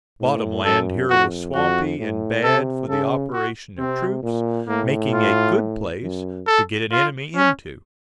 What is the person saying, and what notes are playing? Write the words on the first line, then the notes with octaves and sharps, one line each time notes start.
The bottom land here was swampy and bad for the operations of troops, making a good place to get an enemy into.
A2
F#2 A4
F2 F#4
F2 F#4
A2
C3 A4
C#3 A4
F#4
C3 C4
A#2
A2 A#3
F4
F#2
A4
F4
C#4